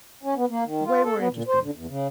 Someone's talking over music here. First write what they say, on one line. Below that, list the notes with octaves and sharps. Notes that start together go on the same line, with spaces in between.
way more interesting.
C#4
B3
A#3
D#3
F4
A4
B3
A#2
C5
D3
E2
C#3